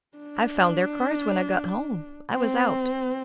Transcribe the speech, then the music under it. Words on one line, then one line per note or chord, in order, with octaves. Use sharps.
"I found their cards when I got home; I was out."
D4
C4